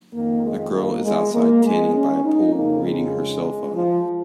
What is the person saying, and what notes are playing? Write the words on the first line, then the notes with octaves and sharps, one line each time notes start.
A girl is outside tanning by a pool reading her cellphone.
F2 D#3 A#3
G#3
A#3
G#3
A#3
G#3
C#4
D#4
F2 C#3 A#3
G#3
F3